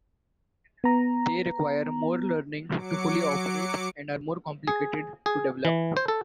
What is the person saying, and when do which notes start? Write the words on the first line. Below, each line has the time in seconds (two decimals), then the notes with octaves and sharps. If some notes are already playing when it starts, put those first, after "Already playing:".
They require more learning to fully operate and are more complicated to develop.
0.84 B3 A#5
2.75 F#3 D6 C#7
4.67 G#4
5.26 G#4
5.65 E3
5.97 C5
6.08 A4